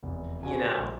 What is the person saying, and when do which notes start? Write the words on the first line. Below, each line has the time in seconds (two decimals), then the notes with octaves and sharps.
you know,
0.03 F1 E2
0.43 D3 F#4 G#5
0.76 A#1